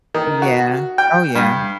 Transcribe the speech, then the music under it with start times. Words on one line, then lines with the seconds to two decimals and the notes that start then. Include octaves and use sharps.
Yeah. Oh, yeah.
0.14 D#3
0.42 F#4
0.98 G5
1.35 G2